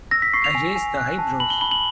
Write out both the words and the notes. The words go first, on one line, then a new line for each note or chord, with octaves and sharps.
I raised the eyebrows.
E6 A#6
B6
C#6 C7
F7
G#5
G#5
F#6
A5
B5 F#7
G7
B5 G7
F#7